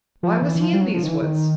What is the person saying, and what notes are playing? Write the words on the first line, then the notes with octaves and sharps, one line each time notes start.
Why was he in these woods?
F3
E3
E3
F3
G3
F#3
F3
D#3
E3
D#3